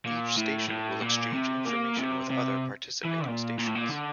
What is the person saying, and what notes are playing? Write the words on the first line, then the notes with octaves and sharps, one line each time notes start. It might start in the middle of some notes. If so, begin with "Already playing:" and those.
Each station will exchange information with other participating stations.
A#2
A2
A2
A#2
C3
A#3
C3
C3
E3
A#2
A#2
A2
A#2
D3